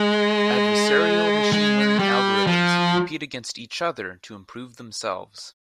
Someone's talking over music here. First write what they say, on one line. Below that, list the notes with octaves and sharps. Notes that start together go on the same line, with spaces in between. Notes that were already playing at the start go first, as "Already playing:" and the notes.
Adversarial machine learning algorithms compete against each other to improve themselves.
Already playing: G#3
G#3
G3
F3